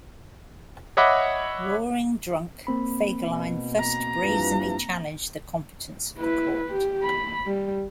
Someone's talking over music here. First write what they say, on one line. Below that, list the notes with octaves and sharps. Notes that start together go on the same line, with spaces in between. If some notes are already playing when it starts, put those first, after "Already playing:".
Roaring drunk..., Fegelein first brazenly challenged the competence of the court.
C#5 D#5 E5 F#5 B5 D6
A#3 C4 B5
B2
A#5
G2 E3 F3
E4 B4
G4
B5
G3